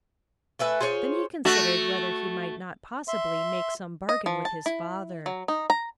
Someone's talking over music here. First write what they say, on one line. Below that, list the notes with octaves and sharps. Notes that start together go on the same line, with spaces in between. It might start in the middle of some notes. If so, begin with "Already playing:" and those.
Then he considered whether he might not possibly make some bargain with his father.
A3 B4 E5 G#5
F4 G#4 C5 C#5
A3 F#4
E5 C6
D#5
F3
A5
E4
F#3
D#4
A#5